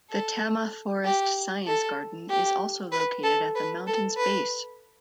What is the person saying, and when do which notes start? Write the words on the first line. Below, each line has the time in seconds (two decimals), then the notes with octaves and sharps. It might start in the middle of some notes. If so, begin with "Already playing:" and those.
The Tama Forest Science Garden is also located at the mountain's base.
0.10 A4
1.05 G4
1.66 A4
2.29 G4
2.92 B4
3.23 A4
3.55 B4
3.87 A4
4.17 B4